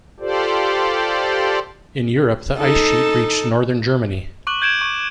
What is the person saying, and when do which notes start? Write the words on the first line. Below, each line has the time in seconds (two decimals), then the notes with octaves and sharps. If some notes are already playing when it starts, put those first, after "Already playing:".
In Europe, the ice sheet reached northern Germany.
0.20 F4 G4 A4 C5 D5
2.58 D#4 A4
4.47 C#6 D6 F#6 F#7
4.62 G6 G#6 D7 E7
4.82 C#6